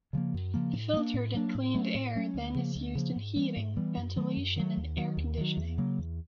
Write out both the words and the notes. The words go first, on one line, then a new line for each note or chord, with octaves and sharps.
The filtered and cleaned air then is used in heating, ventilation and air conditioning.
C#3 F3 A#3
F#2
C#3 F3 A#3
A2
F#3
A#3 D4
A2
F#3 A#3 D4
A2
F#3 A3 C#4
A2
F#3 A3 C#4
D2
C#3 F3 A#3
D2
C#3 F3 A#3
G#2
E3 G3 B3
G#2
E3 G3 B3
F#2
D#3 F#3 A3
F#2
D#3 F#3 A3
D#2
D#3 F#3
D#2
D#3 F#3
E2
C#3 F#3 A#3
E2